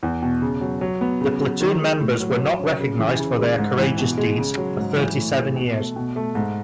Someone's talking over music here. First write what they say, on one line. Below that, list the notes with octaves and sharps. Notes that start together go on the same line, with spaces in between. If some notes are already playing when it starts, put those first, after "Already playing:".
The platoon members were not recognized for their courageous deeds for thirty-seven years.
E2
B2
C#3
F#3
F#3
B3
C#3
F#3
D#3
G#3
A2
F#3
F#3
C#4
C#3
E3
C#3
G#3
G#2
E3
B2
G#3
C#3
F#3
G#2
E3
A2
G#3
B2
A3
B2
A3
G#2